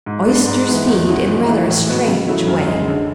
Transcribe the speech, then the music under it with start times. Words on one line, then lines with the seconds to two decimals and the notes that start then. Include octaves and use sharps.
Oysters feed in rather a strange way.
0.06 G#2
0.27 G#3 B3 D4
0.48 G#2
0.67 E3 G#3 B3
0.87 E2
1.07 B2 F#3 C#4 E4
1.27 G#2
1.47 E3 A3 E4
1.68 A2
1.87 G#3 B3 F#4
2.07 C#3
2.27 F#3 A3 E4
2.47 F#2
2.67 C#3 G#3
2.87 D3